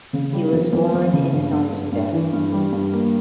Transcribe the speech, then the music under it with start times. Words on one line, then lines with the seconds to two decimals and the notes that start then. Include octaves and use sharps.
He was born in Helmstedt.
0.13 C#3
0.33 G3
0.53 F2
0.73 F2
0.93 F2
1.13 C#3
1.33 G2
1.52 G2
1.73 G2
1.92 G2
2.12 E3
2.33 G2
2.52 G3
2.72 G2
2.92 A#3